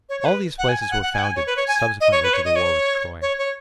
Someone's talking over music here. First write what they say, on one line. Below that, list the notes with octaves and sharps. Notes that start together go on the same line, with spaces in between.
All these places were founded subsequently to the war with Troy.
C#5
C#5
B4
F#5
G#5
G#5
F#5
F#5
G#5
F#5
G#5
C#5
B4
C#5
G#5
G#5
D#5
C#5
B4
C#5
D#5
C#5
C#5
C#5